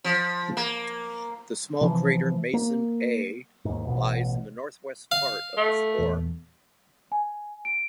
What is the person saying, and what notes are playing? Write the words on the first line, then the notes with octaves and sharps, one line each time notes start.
The small crater Mason A lies in the northwest part of the floor.
F3
A#3
C3 E3 F3
A#3
D#2 G#2
A1 B2
F5
A3
D#1 E2
G#5
D7